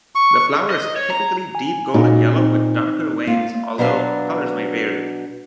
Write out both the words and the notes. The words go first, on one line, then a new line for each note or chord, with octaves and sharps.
The flower is typically deep golden yellow with darker veins, although colors may vary.
C#6
D#5
C#5
A#5
G#5
A#2 C#4 D#4 F#4
C4 D#4
A#3 F4
B2 F#3 D4 B4 F5